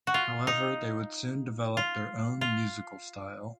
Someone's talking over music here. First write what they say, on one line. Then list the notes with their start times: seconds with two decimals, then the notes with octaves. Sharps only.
However, they would soon develop their own musical style.
0.07 F#4
0.14 F4
0.47 D#4
1.77 F4
2.41 F4